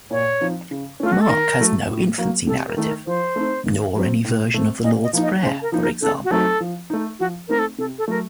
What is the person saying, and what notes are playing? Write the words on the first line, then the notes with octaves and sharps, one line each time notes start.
Mark has no infancy narrative nor any version of the Lord's Prayer, for example.
A#2 C#5
F3 C4 D#4
C#3
A3 C#4 F4
F#4
A4
D#3 A#4
F#3 A3
A2
F#3 A#3
C3 A4
A#4
D#3 A3 D#4
A#4
F3 C5
A3 C4 D#4
D#3
F#3 C4
A2
A3 C4
A#2 D#5
D#5
F3 A#3 D#4
D#5
C#3 C5
A#4
F3 A#3 D#4
A#4
C#3 A4
F#4
F#3 A3 C4 D#4 A4
F3
A3 D#4
F3 F#4
A3 C4 D#4 A#4
A4
C3 A4
A4
F#3 A3 A#4